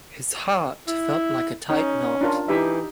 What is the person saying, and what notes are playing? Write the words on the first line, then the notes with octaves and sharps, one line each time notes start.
His heart felt like a tight knot.
E4
C#4 D#4
D4 F4 A#4
E3 D#4 G4 E5